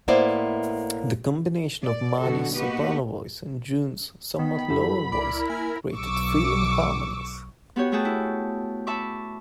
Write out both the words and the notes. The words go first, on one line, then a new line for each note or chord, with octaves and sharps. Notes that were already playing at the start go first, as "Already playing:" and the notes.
The combination of Maddy's soprano voice and June's somewhat lower voice created thrilling harmonies.
A2 A#3 B3 E4 C5 D5
D5
F#2 B2 D3 B3 F#4 A4
A#3 B3 D#4 F#4 G4 B4
D#3 B3 B5
F#2 E4 G4 A4
C#2 E4 A#4 D5
A#3 G#5
B1 C#6 D6 E6
B3 F#4 G4 C#5
A3 F#4 G#4 G5 A5
E4
E5 A5 B5 C#6 D6